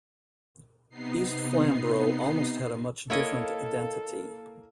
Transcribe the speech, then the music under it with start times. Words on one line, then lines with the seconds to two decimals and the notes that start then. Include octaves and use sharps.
East Flamborough almost had a much different identity.
0.89 C3 B3 D#4 C7
3.10 A#3 E4 A4 C#5 D#5 F5 D7